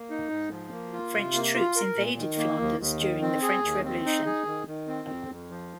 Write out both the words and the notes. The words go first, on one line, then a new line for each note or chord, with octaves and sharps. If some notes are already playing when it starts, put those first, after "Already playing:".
French troops invaded Flanders during the French Revolution.
Already playing: A#3
D#4
G#2
F3
A#3
F4
C3
A#3
F4
A#4
A#2
D#3
A#3
D#2
D#2
D#3
C4
G#4
D#2
C4
D#4
G#4
D#3
D#3
C4
F2
F2
F3